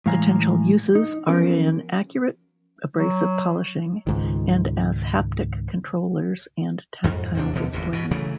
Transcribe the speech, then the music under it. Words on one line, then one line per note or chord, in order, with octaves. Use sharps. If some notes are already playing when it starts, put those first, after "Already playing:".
Potential uses are in accurate abrasive polishing and as haptic controllers and tactile displays.
A2 E3 G#3 F5 G#5 A#5
D#4
F3 F#3 B3 C#4 A#4
F#3
C#2 G#2 D#3
F2 G#2
D#2 C3 D4
D#2 B2 F3
G1 E2 A#2
G#2 B2
C#3 E3 F#3 A3